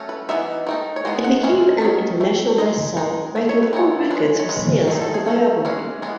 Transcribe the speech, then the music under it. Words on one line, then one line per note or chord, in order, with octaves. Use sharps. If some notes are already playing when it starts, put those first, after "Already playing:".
It became an international best-seller, breaking all records for sales of a biography.
Already playing: F#3 A3 C#4
B4
E3 B3 D#4 E5
D#3 A3 D#4
C#5
G#3 B3 D#4 D#5
F#5
E3 G#3 C#4
D#3 F#3 C#4
E3 A3
G#3 D#4 D#5
G#3 D#4
D#3 A3
C#5
B4
E3 B3 D#4 C#5
G#3 C#4 B4
C#5
G#3 C#4 B4
F#3 A3 D#4 G#4
A4
G#4
F#3 A3 C#4
E3 G#3 C#4
E3 G#3 B3